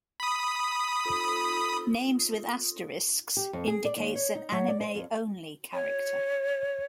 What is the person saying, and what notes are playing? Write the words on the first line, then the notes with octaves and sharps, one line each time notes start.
Names with asterisks indicates an anime-only character.
B5 D#6
G4
F2
G#4
D5
D#2
C#5
D#4
F#3
D5
C5
F2
C#5